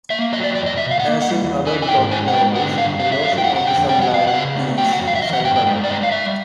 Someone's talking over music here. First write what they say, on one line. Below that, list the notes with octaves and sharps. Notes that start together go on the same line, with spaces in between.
As in other Gothic novels, the notion of the sublime is central.
A#3 E5
F#3 D#5
D5
F2 D5
D#5
B2 E5
F5
A#3 F#5
G3 F#5
E2
E3 G#5
G#5
G#2 G5
G#3 G#5
F#5
G#2 G5
D3 F#5
G2 F5
F#3 F5
E5
G2 F5
G5
D3 F#5
F#5
F2 G5
G3 G5
F#5
F2 F5
F#5
C#3
A3
F#3 G5
F#5
F2
F5
E5
E3 D#5
F#5
G2 G5
G5
G#3
D5
G2 D#5
F5
G3 E5